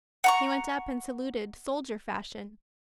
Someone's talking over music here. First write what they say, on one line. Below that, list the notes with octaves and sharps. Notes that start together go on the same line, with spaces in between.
He went up and saluted, soldier-fashion.
F#5 A#5 C#6